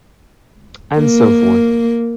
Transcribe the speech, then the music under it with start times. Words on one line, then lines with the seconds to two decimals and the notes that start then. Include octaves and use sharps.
And so forth.
0.99 A#3